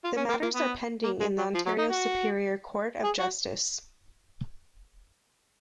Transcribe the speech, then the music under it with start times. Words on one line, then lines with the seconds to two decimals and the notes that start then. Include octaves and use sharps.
The matters are pending in the Ontario Superior Court of Justice.
0.04 F4
0.17 C#4
0.29 A#3
0.42 A#3
0.55 B3
1.04 A#3
1.20 G#3
1.38 F#3
1.54 F3
1.66 F#3
1.79 D#4
1.91 F#4
3.04 G#4
3.20 F#4